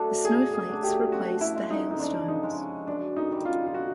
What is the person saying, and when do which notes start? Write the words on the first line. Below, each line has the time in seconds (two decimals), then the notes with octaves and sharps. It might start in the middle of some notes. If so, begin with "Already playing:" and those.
The snowflakes replaced the hailstones.
Already playing: F#3 A3 D4
0.25 A2 G#4
0.54 G#4
0.69 F#3 A3 D4
0.83 G4
1.12 F3 F#4
1.41 E4
1.55 G#3 C#4
1.70 D#4
1.91 D#4
1.99 F3 D4
2.28 D#4
2.43 G#3 C#4
2.87 F#2 D4
3.17 D#4
3.31 D#3 G3
3.45 F4
3.66 F4
3.74 F#4